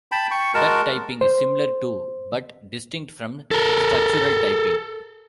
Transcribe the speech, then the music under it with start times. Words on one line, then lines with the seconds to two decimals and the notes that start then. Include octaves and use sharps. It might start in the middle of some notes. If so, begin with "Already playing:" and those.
Duck typing is similar to, but distinct from structural typing.
0.12 G5 A5 B5
0.31 G5 C#6
0.54 G#3 F#4 A#4 A5
1.21 C5
3.51 A4 A#4